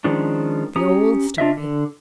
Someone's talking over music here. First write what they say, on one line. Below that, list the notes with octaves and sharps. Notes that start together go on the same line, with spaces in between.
The old story.
D#3 F3 G#3 C#4 D4
C#4 G4 A#5 D#6
D4 F4 D#5 E5
D3